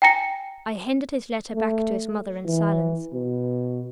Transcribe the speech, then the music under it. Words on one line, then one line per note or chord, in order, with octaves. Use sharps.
I handed his letter back to his mother in silence.
G5 G#5 A#5 A#6 C#7
A3
E3
B2